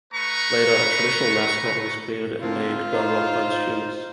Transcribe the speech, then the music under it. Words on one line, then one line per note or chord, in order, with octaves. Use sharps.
Later, a traditional mascot was created and named Gunrock by the students.
A3 B4 A#5 C#6
D3 A#3 C4 F4
D#4 C5